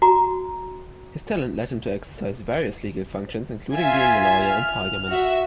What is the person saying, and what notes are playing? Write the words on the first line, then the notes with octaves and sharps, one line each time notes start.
His talent led him to exercise various legal functions, including being a lawyer in Parliament.
F#4 A#5
F4 E5 G#5 G#6
F6
F#4 E5